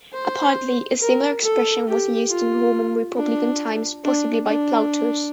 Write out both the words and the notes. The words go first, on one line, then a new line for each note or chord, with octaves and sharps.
Apparently, a similar expression was used in Roman Republican times, possibly by Plautus.
C5
A#4
A4
G4
F4
D4
D4
D4